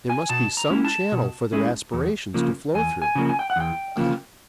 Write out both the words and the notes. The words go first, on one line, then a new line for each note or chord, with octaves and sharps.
There must be some channel for their aspirations to flow through--- Ah!
G#5
B2 A5
A#5
G#3 C#4 E4
A5
B2
G#3 C#4 E4
E2
C#3 F3 A#3
E2 G#5
G#5
C#3 F3 A#3
G#5
G5
F#5
E2 G5
C#3 F3 A#3